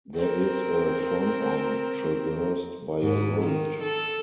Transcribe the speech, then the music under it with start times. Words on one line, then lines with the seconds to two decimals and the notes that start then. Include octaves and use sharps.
There is a Fronton traversed by a road.
0.16 C4 A#4
3.02 G#2
3.42 D#3
3.83 A4